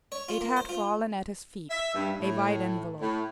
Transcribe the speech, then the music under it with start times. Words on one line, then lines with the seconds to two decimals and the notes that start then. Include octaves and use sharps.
It had fallen at his feet--a white envelope.
0.12 C#5
0.29 F4
0.41 A#3
0.57 C5
0.69 F4
1.70 E5
1.93 G2
2.18 A2
3.00 A2